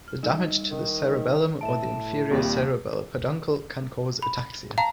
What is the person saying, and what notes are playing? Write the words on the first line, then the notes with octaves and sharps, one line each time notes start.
The damage to the cerebellum or the inferior cerebellar peduncle can cause ataxia.
F6
G3 D#4 D#5
D#3
A2 E5 A5 D7 E7
D#2 A#2 G3 C4
B5
F5 A5 A#5